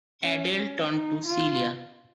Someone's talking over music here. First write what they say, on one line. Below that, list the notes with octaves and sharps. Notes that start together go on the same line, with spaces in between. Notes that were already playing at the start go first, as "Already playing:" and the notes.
Adele turned to Celia.
C#4
C#4
D#4
F4